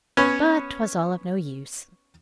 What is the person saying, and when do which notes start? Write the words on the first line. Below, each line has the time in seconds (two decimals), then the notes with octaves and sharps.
But 'twas all of no use.
0.17 B3 C#4 C#5